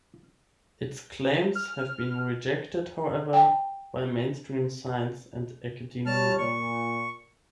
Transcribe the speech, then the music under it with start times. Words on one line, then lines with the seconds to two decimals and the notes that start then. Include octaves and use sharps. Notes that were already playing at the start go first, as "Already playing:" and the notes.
Its claims have been rejected, however, by mainstream science and academia.
1.55 F6
3.33 G5 A5
6.06 G3 C#5 A5 F6
6.38 A#2 C#6